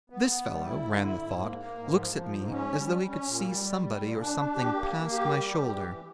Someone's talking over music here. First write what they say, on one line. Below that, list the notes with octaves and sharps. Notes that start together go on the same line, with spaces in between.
This fellow--ran the thought--looks at me as though he could see somebody or something past my shoulder.
B3
B3
G3
E4
D3
E4
G#2
A#3
A#3
G#2
F3
F3
G#2
C#4
G3
G3
C#4
A#2
G3
G3
G3
A#2
D4
D4
G4
A#3
A#3
G4
G3
G4
E3
E3